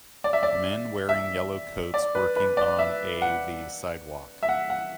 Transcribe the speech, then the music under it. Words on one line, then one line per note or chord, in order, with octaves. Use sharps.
Men wearing yellow coats working on a the sidewalk.
D5
E5
D5
E5
D5
B4
B4
D5
E5
F#5
E5
F#5
F#5